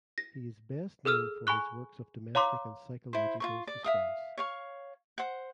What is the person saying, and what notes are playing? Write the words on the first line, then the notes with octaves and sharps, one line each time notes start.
He is best known for his works of domestic and psychological suspense.
A#6
G#4 A4 E6 F6
G#5 B5 C#6 F#6
C#5 F5 A#5 C6 D6
E4 C5
F4 A#4 C#6
D5
E5 F5 D#6
C#5 F5 C#6
C5 F#5